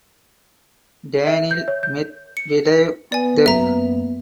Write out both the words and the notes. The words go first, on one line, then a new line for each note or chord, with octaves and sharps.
Daniil Medvedev def.
E5
G6
C#5
G6
C#7
B3 D5 G#5
F#2 A#3 E5 A#5